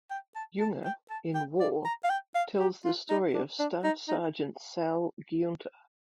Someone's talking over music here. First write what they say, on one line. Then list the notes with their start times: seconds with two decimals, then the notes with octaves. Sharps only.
Junger in "War", tells the story of Staff Sergent Sal Giunta.
0.11 G5
0.35 A5
0.60 A5
0.85 G5
1.10 A5
1.35 G5
1.60 D5
1.85 A#5
2.04 F5
2.10 G5
2.35 F5
2.59 G4
2.85 F4
3.09 D#4
3.34 D4
3.59 D4
3.84 D#4
4.09 D#4